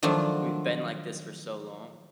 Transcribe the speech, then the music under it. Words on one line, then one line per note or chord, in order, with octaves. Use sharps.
We've been like this for so long.
D#3 F3 F#3 A3 D4